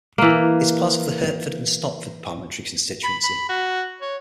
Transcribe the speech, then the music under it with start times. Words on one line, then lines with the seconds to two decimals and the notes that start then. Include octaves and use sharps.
It is part of the Hertford and Stortford Parliamentary Constituency.
0.18 E3 A#3
3.03 B5
3.24 B5
3.49 F#4
4.01 C#5